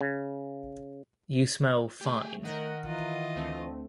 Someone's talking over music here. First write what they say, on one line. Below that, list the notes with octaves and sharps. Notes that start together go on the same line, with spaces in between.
You smell fine.
C#3
A3 G4 G#4
D#3 A#4 D#5 F#5
E3 F4 D#5
D2 A3 C4